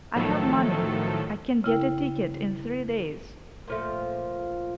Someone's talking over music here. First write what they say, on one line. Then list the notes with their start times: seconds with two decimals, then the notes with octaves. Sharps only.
I have money, I can get a ticket in three days.
0.15 A2 D#3 F3 F#3 A3 A4
1.64 C#3 E4 G5
3.68 A#2 F3 A3